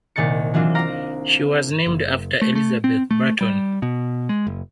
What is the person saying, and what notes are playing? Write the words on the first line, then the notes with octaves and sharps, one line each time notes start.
She was named after Elizabeth Barton.
C2 A#2 D#3 A6 C#7
E3 F#3 C4 D4 F4
F5 A#5 D6 A#6
F#1
A3
A3
C4
A3
G3
B2
G#3
F#1